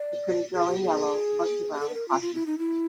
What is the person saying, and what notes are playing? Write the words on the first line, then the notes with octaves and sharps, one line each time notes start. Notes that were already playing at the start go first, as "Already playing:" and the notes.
The pretty girl in yellow looked around cautiously.
Already playing: D5
G#4
G4
G#4
G#4
A4
B4
A#4
F4
F4
E4
D#4
E4